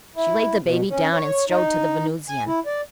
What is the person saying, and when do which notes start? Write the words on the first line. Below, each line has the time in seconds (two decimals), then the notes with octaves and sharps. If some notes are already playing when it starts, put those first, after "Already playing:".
She laid the baby down, and strode to the Venusian.
0.16 E4
0.64 B2
0.89 C#4
1.13 C#5
1.50 D#4
2.29 G#5
2.47 E4
2.66 D5